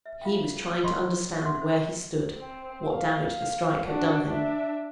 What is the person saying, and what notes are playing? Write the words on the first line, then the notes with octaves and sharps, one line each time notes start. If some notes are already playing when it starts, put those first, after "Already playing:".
He was trying to understand where he stood; what damage the strike had done him.
E5
F4 F5 G5
F4 D#5 C6 C#6 E6
E5 F#5 C6
C5
C4
F5
F5
D4 F#4
D4 E5